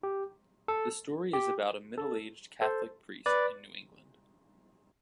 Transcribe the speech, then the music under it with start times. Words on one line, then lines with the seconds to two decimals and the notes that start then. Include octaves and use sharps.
The story is about a middle-aged Catholic priest in New England.
0.03 G4
0.68 A4
1.33 G4
1.98 A4
2.62 A4 C5
3.26 B4 D5